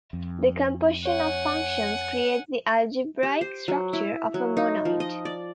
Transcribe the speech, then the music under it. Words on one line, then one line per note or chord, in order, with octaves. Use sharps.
The composition of functions creates the algebraic structure of a monoid.
F2
C#5 F#5 G#5
G4
C5
F#3
E4
F#3
D#4
F3
D#5
D5